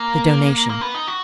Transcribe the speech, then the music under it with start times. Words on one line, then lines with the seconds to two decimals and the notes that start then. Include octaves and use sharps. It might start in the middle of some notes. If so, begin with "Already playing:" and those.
The Donation.
Already playing: A#3
0.70 A#3
0.81 B3
0.95 D#4
1.07 F#4